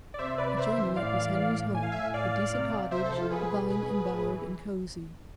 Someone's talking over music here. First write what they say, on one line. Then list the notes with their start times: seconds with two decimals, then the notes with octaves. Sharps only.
Adjoining it was Henry's home--a decent cottage, vine-embowered and cosy.
0.14 D5
0.19 C3 C5 E5
0.38 C3 B4 D5
0.57 C3 C5 E5
0.77 E3
0.96 A2 D5 F5
1.16 E3
1.36 A2
1.55 A2
1.75 A2 G#5
1.83 F5
1.92 A2 E5 G#5
2.14 A2 D5 F5
2.34 A2
2.53 C3
2.72 C3
2.92 C3 C5 E5
3.04 A4 C5
3.11 F3
3.17 F4 A4
3.30 B2 G#4 B4
3.51 B2
3.70 B2 G#4 B4
3.90 B2
4.08 A2
4.28 E3